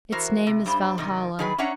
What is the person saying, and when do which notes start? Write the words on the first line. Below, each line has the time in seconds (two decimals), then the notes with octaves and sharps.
Its name is Valhalla.
0.12 E3 F#4 A#4 C5
0.47 C3
0.66 G2 G3 C5
0.98 G#2 C3 D#3
1.39 D#3 G#4 B4
1.58 C#4 D4 C#5 E5 F#5 A#5